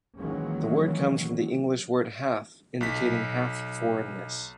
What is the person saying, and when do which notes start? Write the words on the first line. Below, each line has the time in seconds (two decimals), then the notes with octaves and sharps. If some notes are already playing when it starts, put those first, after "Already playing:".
The word comes from the English word "half" indicating half foreign-ness.
0.17 D#3 E3 F#3 G#3 A#3 C#4
2.81 B1 B6